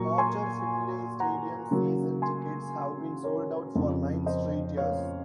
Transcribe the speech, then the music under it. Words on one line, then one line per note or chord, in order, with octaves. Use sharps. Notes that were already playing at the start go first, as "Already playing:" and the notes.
Carter-Finley Stadium's season tickets have been sold out for nine straight years.
Already playing: A#2 F#3 A#3 A#5 C#6
G#5 C6
F#5 A#5
C#3 F#3 A#3
G#5 C6
A#4 C#5
F2 C#3 F3
C5 D#5
C#5 F5